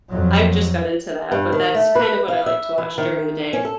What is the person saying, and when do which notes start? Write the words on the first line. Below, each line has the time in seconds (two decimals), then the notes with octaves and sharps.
I've just got into that, but that's kind of what I like to watch during the day,
0.10 F2 F#3
1.32 G2
1.52 D#3
1.75 A3
1.95 B4
2.28 F5
2.46 E5
2.78 E3
2.98 D#3
3.53 C#4
3.65 A4